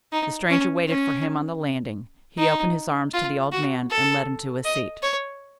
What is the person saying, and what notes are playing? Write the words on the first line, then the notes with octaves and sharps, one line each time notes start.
The stranger waited for him on the landing; he opened his arms to the old man, and led him to a seat.
D#4
C#4
C#4
D#4
F4
F#4
A4
D#5
C#5